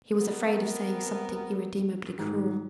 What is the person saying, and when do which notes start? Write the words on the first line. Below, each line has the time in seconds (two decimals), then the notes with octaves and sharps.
He was afraid of saying something irremediably cruel.
0.18 C3 B3 A#4
2.18 G#2 D#3